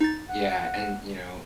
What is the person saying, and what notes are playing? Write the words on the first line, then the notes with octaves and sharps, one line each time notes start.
Yeah, and, you know,
D#4 A6
F#5